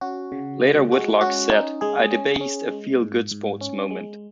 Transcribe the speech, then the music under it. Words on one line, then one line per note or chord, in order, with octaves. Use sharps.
Later, Whitlock said, I debased a feel-good sports moment.
C#4 F#4
C#3
G#3
G#3 F#4
C#4 F#4
C#4 D#4
G#3 G#4
C#4
C#4
G#3
G#2
G#2
C#4
G#3